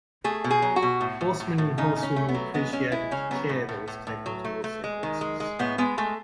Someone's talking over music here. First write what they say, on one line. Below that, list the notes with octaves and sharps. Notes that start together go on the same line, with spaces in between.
Horsemen and Horsewomen appreciated the care that was taken towards their horses.
A3 G#4
B2
G#4
F#3
F#4
B2
A2
A2
A2
A2
C#3 D#4
C#3
C#4
A3
B3
F#3
G#3 B3
G#3 C#4
G#3 E4
C#3 C#4
F#3 B3
A2
A2
A2
A2
F#3
A3
A3
G#3
D#3
G#3
G#3
A2 B3
G#3 B3
G#3 A3